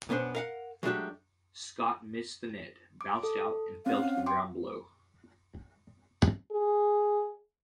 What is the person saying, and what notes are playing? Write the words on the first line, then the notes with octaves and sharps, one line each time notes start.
Scott missed the net, bounced out, and fell to the ground below.
B1 B3 C#4 D4 C5
A#4 F5 F#5
F#3 G#3 A3 D4 F#4 G4
D6
A4
C4 C#4 F5
G5 C6 D6
G#4